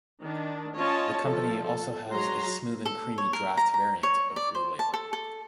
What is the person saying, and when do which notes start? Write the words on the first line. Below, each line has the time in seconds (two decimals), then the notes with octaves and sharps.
The company also has a "Smooth 'n' Creamy" draught variant of Blue Label.
0.22 D#3 D4
0.76 C#4 F4 C#5 D#5 A5
1.24 F3 A4
1.65 A4
2.12 F#3 G#3 A#5 C6
2.85 A4
3.18 C#5
3.33 A#4
3.57 A#5
3.74 A#5
4.03 C#5
4.36 D5
4.55 C5
4.79 A5
4.94 A4
5.13 A4